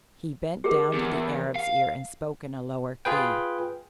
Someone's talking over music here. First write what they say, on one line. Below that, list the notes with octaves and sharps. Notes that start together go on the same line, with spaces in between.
He bent down to the Arab's ear and spoke in a lower key.
G4 G#4 A#4
E2
F5
F4 G#4 B4 G5